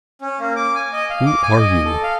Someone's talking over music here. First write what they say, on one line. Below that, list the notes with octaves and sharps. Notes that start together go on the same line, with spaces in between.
Who are you?
C#4
A#3
D6
G#5
D#5
F5
D6
G#5
D#5
A4
F5